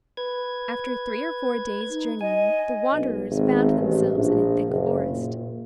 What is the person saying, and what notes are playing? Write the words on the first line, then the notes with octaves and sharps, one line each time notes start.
After three or four days' journeying, the wanderers found themselves in a thick forest.
B4 G#6
D#4
D#5 G#5
B1
G#1
A1
A#1
F#1
A#2